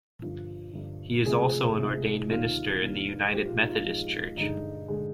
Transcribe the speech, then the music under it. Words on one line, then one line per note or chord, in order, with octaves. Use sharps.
He is also an ordained minister in the United Methodist Church.
G2 D3 F3
G2 D3 F3
D2 C3 F3 G#3 G#4
D2 C3 F3 G#3
D#2 D#3 G3 F4
D#2 D#3 G3
G#2 F3 G#3 G4
F4
D#4
F4
G#2 F3 G#3
G2 D3 G#3 D#4
D3 G#3